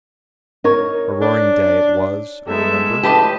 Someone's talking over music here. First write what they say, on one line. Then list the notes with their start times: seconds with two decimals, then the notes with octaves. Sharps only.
A roaring day it was, I remember....
0.64 D#4 A#4 C#5
1.22 D4
2.47 G#3 B3 D#4 A4 E5
3.03 G#1 F2 A2 G4 B4 D#5 A5